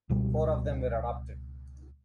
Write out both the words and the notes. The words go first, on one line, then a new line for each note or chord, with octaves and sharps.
Four of them were adopted.
C#2 B2 G3